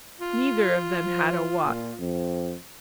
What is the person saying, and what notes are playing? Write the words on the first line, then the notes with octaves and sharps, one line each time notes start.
Neither of them had a watch.
F4
F3
A#2
F2